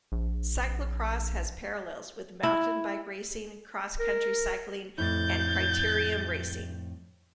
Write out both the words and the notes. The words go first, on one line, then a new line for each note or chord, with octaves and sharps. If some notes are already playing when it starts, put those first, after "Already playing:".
Cyclo-cross has parallels with mountain bike racing, cross-country cycling and criterium racing.
A#1
E4
A#4
F2 A2 E4 G6 A6